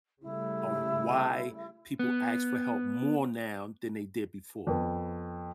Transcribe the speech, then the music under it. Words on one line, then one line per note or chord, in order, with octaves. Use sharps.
on why people ask for help more now than they did before?
C#3 G3 A3 E4
B3
F2 B3